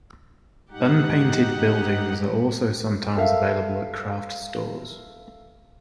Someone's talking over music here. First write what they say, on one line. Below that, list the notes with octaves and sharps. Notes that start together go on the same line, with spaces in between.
Unpainted buildings are also sometimes available at craft stores.
G#2 D#4 G4 F#5
A4 A#4 E5 F5